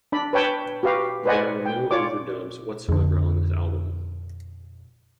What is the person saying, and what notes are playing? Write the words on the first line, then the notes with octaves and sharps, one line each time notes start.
There are no overdubs whatsoever on this album.
D4 D5 B5
B4 C#5 G5 A5 B5
F#4 G4 B4 F5
B4 C5 D5 D#5 F#5 G#5
G5
F4 C#5 D5 D6
F2 D3